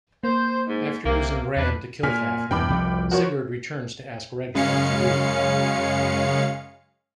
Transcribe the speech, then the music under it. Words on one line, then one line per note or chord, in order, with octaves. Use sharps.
After using Gram to kill Fafnir, Sigurd returns to ask Reginn what to do.
A#3 C5
G#2
C2 C3 A#3
E2 D4 B4
A#2 G#5 F6 B6
E2 G2 B2 G5 B5 D6
C2 F2 C3
F3 F#4 A#4 C#5
F#2 C#3 G#3 C#4 F5 C#7